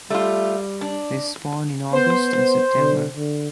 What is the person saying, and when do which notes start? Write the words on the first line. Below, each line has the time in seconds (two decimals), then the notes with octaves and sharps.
They spawn in August and September.
0.10 G3 A3 F4
0.81 D4
1.93 B3 C5
2.34 B3
2.76 D3
3.17 D3